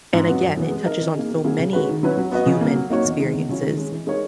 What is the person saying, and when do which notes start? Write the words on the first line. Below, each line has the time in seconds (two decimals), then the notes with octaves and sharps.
And, again, it touches on so many human experiences
0.13 G#2
0.27 F#3 B3
0.42 F#2
0.57 E3 B3
0.71 G#3
0.85 D#4 A#4 D#5
1.01 E3
1.15 A#3 D#4 G#4
1.30 B2
1.44 F#3 A#3 E4 G#4
1.59 C#3
1.73 G#3 C#4 F#4 B4
1.89 D#3
2.03 F#3 C#4 E4 B4
2.17 F#3
2.32 B3 F#4 B4 D#5
2.46 C#3
2.61 F#3 A#3
2.75 F#3
2.90 A#3 D#4 F#4 C#5
3.05 E2
3.20 D#3 G#3
3.34 E2
3.49 C#3 F#3 C#4 E4
3.62 D#3
3.77 G#3 C#4
3.92 E3
4.07 G#3 D#4 A#4 C#5